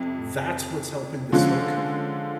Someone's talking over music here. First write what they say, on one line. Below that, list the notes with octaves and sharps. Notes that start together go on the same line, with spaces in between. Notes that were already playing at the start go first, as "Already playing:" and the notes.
that's what's helping the smoke come in.
Already playing: F2 C3
D3 F3 G#3 C#4 F4